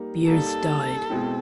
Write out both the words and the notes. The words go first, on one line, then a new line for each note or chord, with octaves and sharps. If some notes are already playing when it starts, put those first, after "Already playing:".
Beers died.
Already playing: G3 A#3 D#4
G3 A#3 D#4 A4
B2 G#3 C4 E4